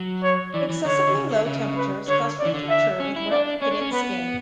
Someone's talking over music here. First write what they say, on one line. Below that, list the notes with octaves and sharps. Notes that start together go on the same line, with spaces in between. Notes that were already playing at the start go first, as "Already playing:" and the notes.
Excessively low temperatures cause fruit to mature with rough, pitted skin.
Already playing: F#3
C#5
E3 D5
E3
D3 C#5
D3
C#3
D3
C#3
B4
D3 C#5
D5
E3
D3
E5
C#4
E4
D4 D5
C#4 C#5
D4
C#4
B3 B4